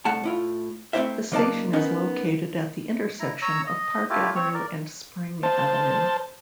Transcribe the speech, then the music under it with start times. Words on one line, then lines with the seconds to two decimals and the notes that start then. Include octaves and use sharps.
The station is located at the intersection of Park Avenue and Spring Avenue.
0.05 C2 A3 F#5 A5
0.24 A2 E4 F4
0.93 A3 C4 C#4 E4 C5 E5
1.32 C#3 F#3 A#3 D#4 D5 A5
1.73 B3 C#4 D#4 A#4
3.19 E4 A#5
3.42 C#5 A#5 E6
3.67 D#5
4.10 A3 E4 F4 G4
4.35 C4 C#5
4.54 A#4 D5
5.43 C5 A5